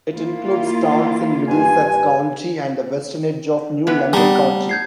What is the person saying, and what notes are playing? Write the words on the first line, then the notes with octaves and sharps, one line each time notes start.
It includes towns in Middlesex County and the western edge of New London County.
A#3 E4 F4
G2 G#5
E3 B3 B4
G3 B3 A5 A#5
G6 G#6 C7